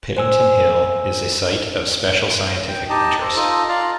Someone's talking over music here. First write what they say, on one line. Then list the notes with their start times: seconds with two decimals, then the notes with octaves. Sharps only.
Pittington Hill is a Site of Special Scientific Interest.
0.17 C5 G#5 E6
2.69 G5
2.90 D#4 G4 D#5 A5
3.21 A4 C5
3.36 D#4 F4 A4 D#5
3.69 F4 D5 F5 A#5